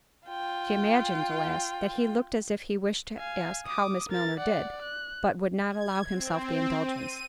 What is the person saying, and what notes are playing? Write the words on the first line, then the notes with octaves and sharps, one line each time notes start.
She imagined, alas, that he looked as if he wished to ask how Miss Milner did, but would not allow himself the indulgence.
F4 G5
F5 G#5
D6 D#6
A#4 A6
D5 F#5
F#6
G#6
C4
D#7